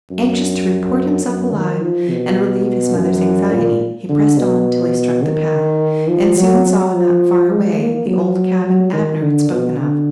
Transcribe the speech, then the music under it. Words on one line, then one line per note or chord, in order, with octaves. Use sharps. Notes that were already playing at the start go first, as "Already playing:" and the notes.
Anxious to report himself alive, and relieve his mother's anxiety, he pressed on till he struck the path, and soon saw, not far away, the old cabin Abner had spoken of.
F#2
F#2
D#3
F3
B2
F#2
A#2
D3
B2
D#3
F3
F#3
F#3
F3
G#3
A#3
F#3
F#3
D#3
D3
B2
D3